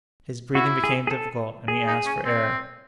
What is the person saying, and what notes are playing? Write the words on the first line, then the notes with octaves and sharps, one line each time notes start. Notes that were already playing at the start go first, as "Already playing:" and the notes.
His breathing became difficult, and he asked for air.
E4 F#4
G#4
G#4
A4
G#4
D#4
C#4
C4